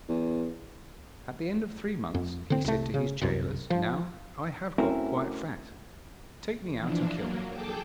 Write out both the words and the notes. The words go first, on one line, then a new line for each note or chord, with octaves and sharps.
At the end of three months he said to his gaolers: 'Now I have got quite fat; take me out, and kill me.'
E2
F2
D3 C4
C2 A3
C#3
C2 F#2
F3
A3 C4 C#4 E4 F#4 A#4
E3 F3 D4
F#3 A#3
G#4 A4 G5 A5 D6